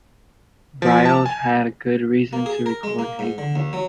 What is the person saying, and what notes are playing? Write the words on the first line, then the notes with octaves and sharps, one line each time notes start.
Briles had good reason to record Hey Hank.
F3
A5
G#5
A#3
G#4
A#4
G#3
A#3
G#2
D3
D#2
F#3